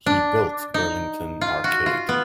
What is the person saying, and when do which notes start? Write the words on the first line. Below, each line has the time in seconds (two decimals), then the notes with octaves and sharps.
He built Burlington Arcade.
0.06 D4
0.74 D#4
1.41 F4
1.64 F#4
1.86 F4
2.09 B3